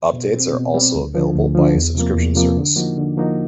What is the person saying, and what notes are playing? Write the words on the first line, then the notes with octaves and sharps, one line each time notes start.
Updates are also available by a subscription service.
B2
G3 C4
B2
G3 C4
D2
D3 F3
D2
D3 F3
E2
C3 F3 A#3
E2
C3 F3 A#3
D3
F3 A#3 D#4 F#4
D3
F3 A#3 D#4 F#4